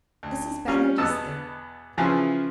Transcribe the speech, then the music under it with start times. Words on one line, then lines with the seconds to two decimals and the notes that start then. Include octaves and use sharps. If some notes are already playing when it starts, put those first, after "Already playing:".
Mrs. Bennett is there.
0.23 D2
0.68 G3 C#4 F4
0.98 E2 B2 B3 D#5 A5 E6
1.98 C#3 E3 F3 C#4 E4 G#4